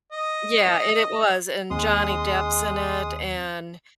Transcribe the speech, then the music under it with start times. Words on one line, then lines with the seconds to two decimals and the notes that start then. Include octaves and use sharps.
Yeah, and it was, and Johnny Depp's in it, and
0.12 D#5
1.70 D#2 D#3 G#3 C4 C6 D#6